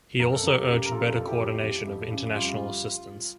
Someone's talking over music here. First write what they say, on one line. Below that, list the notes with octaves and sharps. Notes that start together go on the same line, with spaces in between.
He also urged better coordination of international assistance.
F2 A#4
A4
F2 G4 A#4
C#3
A#4
F3 F4 A4
F2
A4
E4 G4
F2
F2
F2
C#3
G3 F4